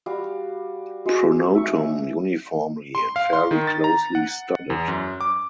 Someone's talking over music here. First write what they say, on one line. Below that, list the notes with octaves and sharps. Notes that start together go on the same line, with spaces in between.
Pronotum uniformly and fairly closely studded.
G3 F#4 F5
G#3 F#4
E5 C#6
C6
F5
C6
D#3
A6
A#5
F#5
E2
F#2
D6